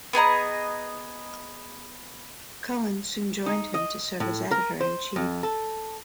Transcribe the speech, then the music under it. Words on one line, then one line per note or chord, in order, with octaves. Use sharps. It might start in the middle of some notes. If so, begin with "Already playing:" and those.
Cowan soon joined him to serve as editor in chief.
B3 G#4 D#5 A#5
D#4
D#5
A2
A#4
C5
F2
A4